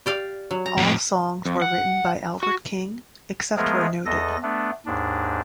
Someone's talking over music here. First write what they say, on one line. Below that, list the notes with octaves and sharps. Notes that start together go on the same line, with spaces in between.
All songs were written by Albert King, except where noted.
G4 D5 F5
F#3
A#5
F2 A2
F2
F#5
F#4
F3 G#3 A3 B3 G#4 A#4
E2 A4 D#5 A#6
A3 B3 D4
D#2 G#2 D4